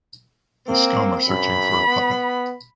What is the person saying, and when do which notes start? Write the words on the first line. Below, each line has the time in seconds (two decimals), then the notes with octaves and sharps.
The scum are searching for a puppet.
0.68 A#3 C4
1.28 F#2 B5
1.87 B3